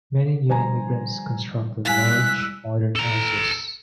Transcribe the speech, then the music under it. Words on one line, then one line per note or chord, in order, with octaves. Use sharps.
Many new immigrants constructed large, modern houses.
D3 F3 G3 C5 G#5 A#5
G3 G#3 E4 F5 G#5 E6 F#6 B6
A4 A#5